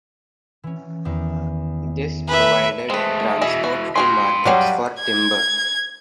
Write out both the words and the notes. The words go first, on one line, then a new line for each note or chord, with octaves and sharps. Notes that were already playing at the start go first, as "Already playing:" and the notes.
This provided transport to markets for timber.
E3 C#4
E2 D#3 D6
D#4 B4 E5 G#5
G#3 A3 C4 B4
B2 E3 G#4 D#5 E5
F#4
F4 F#4 G#4 B4 G5 C6
F#3 G3 D4 G#4 D#5 F5
G#6